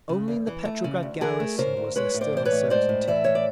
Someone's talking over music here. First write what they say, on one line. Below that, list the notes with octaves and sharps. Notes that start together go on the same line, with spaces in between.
Only in the Petrograd garrison was there still uncertainty.
C#3
E2
E3
A3
C#3
D2
E3 G#4 A#4
A3
C#3 A#4 C5
D2
G#3 B4 C#5
A2
C5 D5
E3 C5
B4 C#5
A2
G#3 C5 D5
A2
E3 D5 E5
A2 C#5
D5